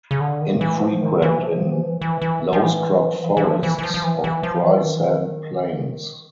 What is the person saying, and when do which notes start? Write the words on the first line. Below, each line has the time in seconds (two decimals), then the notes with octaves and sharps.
Infrequent in low scrub forests of dry sand plains.
0.11 C#3
0.20 D3
0.41 D#3
0.61 E3
0.82 F3
1.02 D#3
1.22 E3
1.42 F3
1.72 E3
1.81 F3
1.89 E3
2.01 E3
2.22 E3
2.53 F3
2.62 E3
3.15 F3
3.22 E3
3.37 E3
3.43 F3
3.63 E3
3.79 E3
3.83 F3
3.94 F3
4.04 E3
4.24 E3
4.43 F3
4.63 E3
4.84 D#3
4.96 E3
5.08 D#3